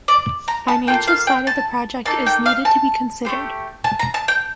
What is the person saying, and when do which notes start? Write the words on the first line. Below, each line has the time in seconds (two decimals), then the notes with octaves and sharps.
Financial side of the project is needed to be considered.
0.08 D5
0.48 A#5
0.68 A5
0.87 A#3 F4 A4 G5
1.07 F5
1.27 G5
1.47 A5
2.06 A#3 D#4 A4 A5
2.26 G5
2.46 F5
2.65 A5
3.25 A3 C4 G4
3.84 A5
3.99 A#5
4.14 A5
4.28 G5